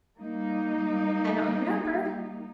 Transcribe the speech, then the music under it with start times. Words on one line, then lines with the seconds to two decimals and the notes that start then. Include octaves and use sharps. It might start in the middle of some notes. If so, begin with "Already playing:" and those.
"I don't remember."
0.17 G3 A#3 D#4